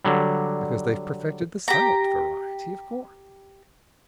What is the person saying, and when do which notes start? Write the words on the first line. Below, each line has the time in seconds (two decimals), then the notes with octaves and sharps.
Because they've perfected the silent variety, of course.
0.05 D3 F#3 G3
1.68 G4 A#5